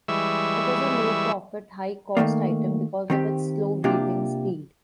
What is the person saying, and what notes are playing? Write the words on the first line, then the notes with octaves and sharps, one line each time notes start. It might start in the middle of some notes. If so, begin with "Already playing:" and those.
It is a low-profit, high-cost item because of its slow weaving speed.
E3 G3 G#3 E5 C#6 E6
D#3 F3 A3 A#3
D#3 C4 G4
C3 A#3 D4 F4 G4